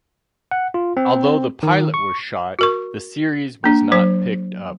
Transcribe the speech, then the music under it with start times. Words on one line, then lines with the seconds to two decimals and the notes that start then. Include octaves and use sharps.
Although the pilot was shot, the series was not picked up.
0.51 F#5
0.74 F4
0.97 C4
1.63 D#3
1.94 C#6
2.59 F#4 A#4 C#6
3.64 A#3 D4
3.92 F#3 C5